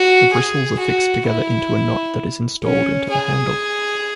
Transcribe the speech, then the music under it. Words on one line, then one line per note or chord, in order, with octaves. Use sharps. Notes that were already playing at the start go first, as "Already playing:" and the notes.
The bristles are fixed together into a knot that is installed into the handle.
Already playing: F#4
G#4
F#4
E4
C#4
G#4